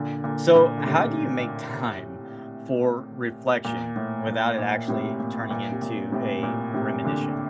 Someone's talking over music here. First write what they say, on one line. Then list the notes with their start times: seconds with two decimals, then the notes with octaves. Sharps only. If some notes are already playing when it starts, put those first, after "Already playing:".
So how do you make time for reflection without it actually turning into a rumination?
Already playing: A#2 D3
0.24 A#2 D3
0.55 A#2 D3
0.78 D3
0.86 A2 C3
3.65 A#2
3.96 A2
4.27 A#2
4.58 A#2
4.88 A2 C3
5.20 A#2
5.51 A#2
5.71 C3
5.82 A#2
6.12 A2 C3
6.43 A#2
6.74 A2 C3
7.05 A#2 D3